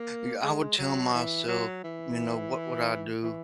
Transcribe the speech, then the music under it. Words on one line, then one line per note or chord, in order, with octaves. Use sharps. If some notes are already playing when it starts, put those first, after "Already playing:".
y I would tell myself, you know, what would I do?
Already playing: A#3
G#3
F#3
E3
F#3
E3
E3